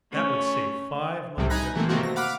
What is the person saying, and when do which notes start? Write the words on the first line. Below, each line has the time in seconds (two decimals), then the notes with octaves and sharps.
That would save five months every year.
0.11 A3 C#4
1.37 C2 A2 C3 G3
1.50 D#4 G#5 A#5 B5 F#6 A#6
1.75 E3 A3 A#3 C4
1.89 C3 D#3 A3 A#3 C4 F#4
2.03 C3 A#6
2.16 F5 F#5 B5 D6 F6 F#6